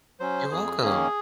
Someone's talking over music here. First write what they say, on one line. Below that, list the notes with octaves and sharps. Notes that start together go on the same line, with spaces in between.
You're welcome.
F#3 C#4 C5
F2 G#4
D#3 A#3 C#4 G#4